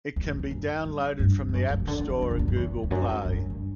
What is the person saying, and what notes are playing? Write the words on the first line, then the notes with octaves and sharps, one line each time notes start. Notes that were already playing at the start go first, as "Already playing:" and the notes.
It can be downloaded from the App Store and Google Play.
E2
F#2
E2
F#2
G2
G2
G2
F#2
F#2
C#3
D3
D3
E3
E3
D3
E2
F#2
E2
E2
F#2
F#2
G2
G2